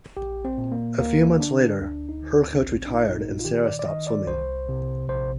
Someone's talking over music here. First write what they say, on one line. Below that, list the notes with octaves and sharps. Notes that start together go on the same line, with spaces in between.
A few months later, her coach retired and Sara stopped swimming.
A#1 G4
C4
A#2
A#3
D2 A#3
D3 D4
D2 D4
D#4
D3
D4
A#1 C4
D4
D#4
A#2
D#4
F4
D#3 G4
D5
D5
D#3 D#5
D5
C2 C5
C3
A#1 C5